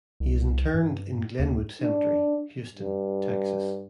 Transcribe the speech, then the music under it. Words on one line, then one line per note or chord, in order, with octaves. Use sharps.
He is interred in Glenwood Cemetery, Houston, Texas.
C2
G2
D#2
D4
G2